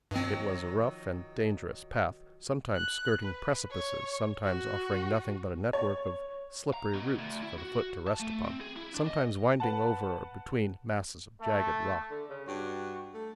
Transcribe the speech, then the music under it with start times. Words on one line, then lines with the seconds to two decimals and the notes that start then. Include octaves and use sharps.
It was a rough and dangerous path,--sometimes skirting precipices,--sometimes offering nothing but a network of slippery roots for the foot to rest upon,--sometimes winding over or between masses of jagged rock.
0.11 G2 D#3 F3 F#3 C4
2.76 F#6
3.23 B4
3.71 C#5
4.44 F#4
5.73 C#5
6.74 A#5
6.94 B2
7.18 D2
7.42 E4
7.58 F#4
8.07 A5
8.20 A3
8.45 C4
8.61 G#4
8.76 E4
8.95 D4
9.07 D#5
9.60 B4 F#5 A5
11.41 A3
12.10 D3
12.30 C#3
12.48 G2 F#4
13.14 A3